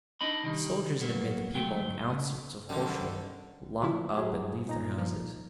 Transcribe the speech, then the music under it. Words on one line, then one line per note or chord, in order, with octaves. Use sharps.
The soldiers had made the people on the outskirts of Horsell lock up and leave their houses.
D4 D#4 D#5 B5
C3 D#3 G3
G2 F#3 A#3 B3
D2 F#3 A3 G5
C#3
F#2 D3 D#3 G3
B2 F3 E4
F#3 G4 G#4
A#2 D#4 A#5
F3